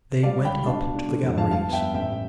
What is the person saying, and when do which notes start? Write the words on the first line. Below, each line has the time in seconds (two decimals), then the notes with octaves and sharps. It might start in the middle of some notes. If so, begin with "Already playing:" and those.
They went up to the galleries.
0.23 G3 D5 F5
0.39 G3
0.45 G5 B5
0.52 E1
0.66 D4 F5 A5
0.81 B2
0.95 D4
1.09 D3
1.23 F2
1.38 F3 F5 A5
1.51 G2 F5 A5
1.67 B3
1.73 E5 G5
1.80 G2
1.94 A1 E5 G5